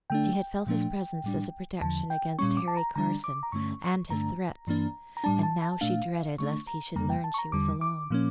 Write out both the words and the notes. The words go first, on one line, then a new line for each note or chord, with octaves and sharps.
She had felt his presence as a protection against Harry Carson and his threats; and now she dreaded lest he should learn she was alone.
D3 A3 D4 G5
A#2 F3 A3 D4
A2 G3 D4
E2 D3 F3 A5
G5
A#2 G3 C#4 C#6
D6
A5
A#5
D3 G3 D4 A#5
D6
A#5
G2 D3 A3 C#4 C#6
G2 D3 A3 D4 A#5
G2 E3 A#3 D4
A#5
A2 G3 D4 A5
A5
A5
A#2 A3 D4 F5
D3 A3 D4 C#6
A#5
F2 C#3 G3 A#3 A#5
G5
A5
C#6
A#5
E2 D3 G3 D6
D6
A#2 F3 A#3 C#4